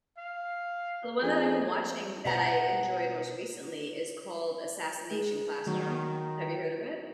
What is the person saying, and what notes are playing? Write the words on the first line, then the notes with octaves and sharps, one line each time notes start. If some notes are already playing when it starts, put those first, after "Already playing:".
The one that I've been watching that I enjoyed, most recently, is called Assassination Classroom, have you heard of it?
F5
F2 G#4
B2 F#5 A#5
G#3
D#3 F#3